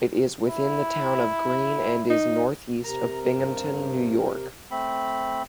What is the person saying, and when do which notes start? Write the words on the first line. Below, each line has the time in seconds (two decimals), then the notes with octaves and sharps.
It is within the town of Greene and is northeast of Binghamton, New York.
0.48 E4
2.10 D#4
2.84 C3 A#4 A#5
3.36 G2
4.71 A3 C4 B5